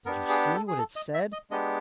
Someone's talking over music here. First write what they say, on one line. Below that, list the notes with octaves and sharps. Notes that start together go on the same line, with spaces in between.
Did you see what it said?
B3 D4 G4 A#4
G#4
A4
G#4
A4
D#5
E5
D#5
G#3 B3 D4 G4 D#5